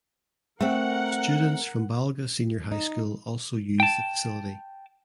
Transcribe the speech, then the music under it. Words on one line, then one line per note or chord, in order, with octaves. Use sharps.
Students from Balga Senior High School also use the facility.
A3 C4 A#4 F#5
D#4
G5 A5